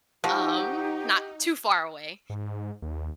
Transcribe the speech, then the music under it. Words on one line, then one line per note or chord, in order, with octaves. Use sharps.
Um, not too far away.
F3 D#4 F#4 G4
G#2
D#2